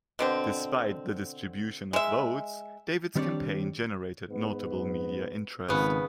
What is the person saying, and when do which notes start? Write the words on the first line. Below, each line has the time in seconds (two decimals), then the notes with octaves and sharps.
Despite the distribution of votes, David's campaign generated notable media interest.
0.19 B2 D3 C4
1.93 G#3 E5
3.15 D#3 G3 C4 D4 C#5 D5
4.29 G#2 B3 B4
5.68 G#1 C#3 B3